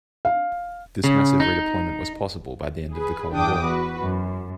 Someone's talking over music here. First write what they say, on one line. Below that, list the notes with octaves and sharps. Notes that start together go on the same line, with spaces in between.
This massive redeployment was possible by the end of the Cold War.
F5
C#3
D#4
G#4 B4
E2 D4 G5 D6 D#6
F#4 B4
F#2